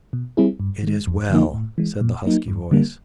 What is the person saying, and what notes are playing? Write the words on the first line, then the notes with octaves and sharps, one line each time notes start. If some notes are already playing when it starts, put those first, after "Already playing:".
"It is well!" said the husky voice.
B2
G3 C4 E4 G#4
G2
D#3 G#3
F2
D3 F3 A#3 D#4
A2
E3 G#3
A#2
F#3 A#3 D#4
G2
D3 G3 A#3